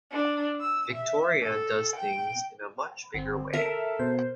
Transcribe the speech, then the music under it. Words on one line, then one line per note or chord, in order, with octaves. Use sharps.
Victoria does things in a much bigger way.
D4
E6
E5
A4
G5
G1 C4
A4 A#4 E5
B2 C5